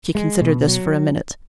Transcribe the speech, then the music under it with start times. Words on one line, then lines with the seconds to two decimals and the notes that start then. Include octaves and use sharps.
She considered this for a minute.
0.15 G#3
0.41 B2
0.67 F#3